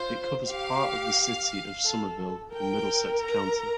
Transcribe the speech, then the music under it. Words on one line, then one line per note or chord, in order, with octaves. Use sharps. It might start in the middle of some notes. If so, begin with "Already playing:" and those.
It covers part of the city of Somerville in Middlesex County.
Already playing: F4 C5
G4 F5
A4
A#4 G5
A#5